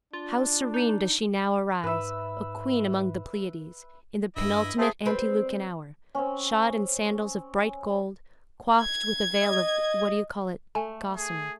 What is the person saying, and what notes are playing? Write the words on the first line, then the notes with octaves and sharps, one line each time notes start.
How serene does she now arise, a queen among the Pleiades, in the penultimate antelucan hour, shod in sandals of bright gold, coifed with a veil of what do you call it gossamer.
D4 F4
D#4
G#2 B4 E5
G2 E4 D#5 E5
A3 C4 G#4
G3 C4 B4
C4 C#4
G#6
D#5
A3 G#5
G#4